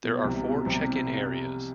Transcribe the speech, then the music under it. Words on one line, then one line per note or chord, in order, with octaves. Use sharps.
There are four check-in areas.
B2
C2 C3
B2
C2 C3